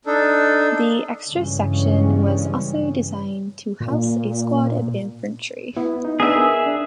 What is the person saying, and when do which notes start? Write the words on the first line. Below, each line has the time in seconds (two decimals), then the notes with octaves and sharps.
The extra section was also designed to house a squad of infantry.
0.07 D4 D#4 A4
1.30 G2 C#3 E3 G3 G#3 C#4
3.80 A#2
5.77 B3 E4
6.05 D#4
6.20 B3 D4 D#4 G#4 E5
6.36 A#4 G#5
6.66 D4